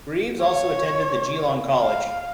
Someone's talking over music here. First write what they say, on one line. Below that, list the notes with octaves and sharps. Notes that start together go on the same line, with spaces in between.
Greeves also attended The Geelong College.
C#5
F5